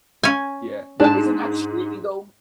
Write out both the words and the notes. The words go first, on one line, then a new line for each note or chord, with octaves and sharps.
Yeah, but isn't that streaming, though?
C#4 G#5
G#2 D4 A5